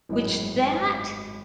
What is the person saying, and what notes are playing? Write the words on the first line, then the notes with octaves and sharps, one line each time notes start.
which that
G#1 F#2 A2 F#3 G#4 D#5